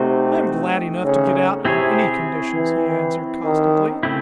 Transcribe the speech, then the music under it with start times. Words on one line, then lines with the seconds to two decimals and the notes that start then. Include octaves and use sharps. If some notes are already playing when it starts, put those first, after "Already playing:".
"I am glad enough to get out on any conditions," he answered caustically.
Already playing: C3 A3 C4 D#4 F#4
1.04 C#3
1.65 C3 C4 E4 G#4 C#5
2.55 E3
3.44 D#3
4.03 C#3 A3 C4 E4